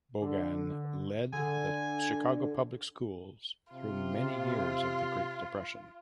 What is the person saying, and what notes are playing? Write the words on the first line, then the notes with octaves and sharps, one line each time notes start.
Bogan lead the Chicago Public Schools through many years of the Great Depression.
D3
D3 G#5
C3 F4